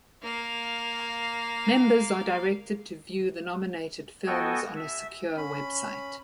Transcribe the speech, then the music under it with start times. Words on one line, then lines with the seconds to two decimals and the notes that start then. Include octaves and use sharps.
Members are directed to view the nominated films on a secure website.
0.23 A#3 F5
4.27 B3 F#4 A4 D#5 G5 G#5
4.76 E5
5.37 C#4 B5